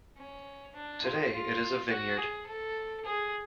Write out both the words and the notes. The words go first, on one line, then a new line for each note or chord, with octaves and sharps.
Today it is a vineyard.
C#4
D4
F4
F4
F#4
G#4
A4
G#4